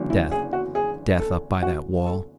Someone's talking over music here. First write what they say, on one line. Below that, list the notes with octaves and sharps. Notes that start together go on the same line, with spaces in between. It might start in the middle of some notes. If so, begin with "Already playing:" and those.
Death, death up by that wall.
Already playing: F#1 E2 D3 F#3
E4
G#4
F#4
G#4
A4
F#4
A4